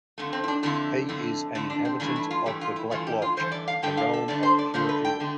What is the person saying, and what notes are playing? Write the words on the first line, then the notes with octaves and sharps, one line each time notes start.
He is an inhabitant of the Black Lodge, a realm of pure evil.
F2 D3 A3
C4
E4
D4
F2 D3 A3 E4
F2 D3 A3
F2 D3 A3 E4
D4
C4
G2 E3 A3 D4
E4
F4
G2 E3 A3 G4
F4
E4
G2 E3 A3 F4
G4
F4
G2 E3 A3 C5
D5
F5
G2 D3 A3 G5
F5
E5
G2 D3 A3 D5
C5
D5
G2 D3 A3 C5
B4
G5
D3 A3